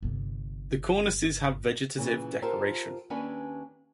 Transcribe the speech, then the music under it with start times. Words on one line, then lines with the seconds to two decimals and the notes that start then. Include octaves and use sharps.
The cornices has vegetative decoration.
0.02 G1 C3
1.97 A#2 C#3 E3
2.42 F4 G4 A4 A#4 C5 E5
3.10 D#2 C#4 D4 A4 B4 G#5